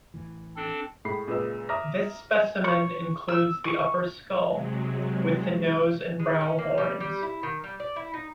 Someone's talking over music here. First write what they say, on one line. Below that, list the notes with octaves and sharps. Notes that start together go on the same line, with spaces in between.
This specimen includes the upper skull, with the nose and brow horns.
A1 A2 E3
C4 D4 A4
A2 G#3 B5 C7
A#2 C#3 G#3 B4 D#5 E6
E5 A#5 D6 D#6 F6 A#6
C#6
E6
C#6
C3 F#3 G#3
G#3
C#4
A#3
G3
G3
E4
D#3
G3
D5
E4
D#4